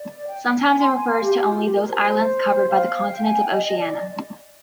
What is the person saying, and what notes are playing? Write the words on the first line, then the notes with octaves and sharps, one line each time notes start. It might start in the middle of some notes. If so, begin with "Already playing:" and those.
Sometimes it refers to only those islands covered by the continent of Oceania.
Already playing: D5
G5
G#5
C6
G#5
F5
G4
G4
F4
G4
A#4
C5
F5
G5
G#5
G5
D#5
D#5
D5